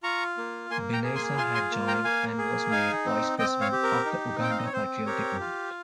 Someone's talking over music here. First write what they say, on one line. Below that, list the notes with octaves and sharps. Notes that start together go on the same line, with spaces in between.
Binaisa had joined, and was made vice president of the Uganda Patriotic Movement.
F4 A#5 C#6
A#3
A#3 G#5 C6
G5 A#5
G#4
G#5 C6
F4 G#5 C6
G#5 C6
A#3
G5 A#5
A#3 F5 G#5
G#4
D#4 F5 G#5
C4
C4 D#5 G5
C#5 F5
G4
A#4
D#4
C4 G5
F5
D#5
C#5
C4 C5
G4 A#4 C#5
F4